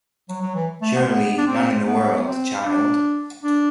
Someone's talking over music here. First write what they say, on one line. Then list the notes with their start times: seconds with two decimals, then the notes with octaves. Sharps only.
Surely, none in the world, child.
0.29 F#3
0.42 F#3
0.55 E3
0.82 A3
0.95 B3
1.02 C4
1.10 B3
1.38 D4
1.47 C4
1.87 B3
2.25 C4
2.65 D4
3.43 D4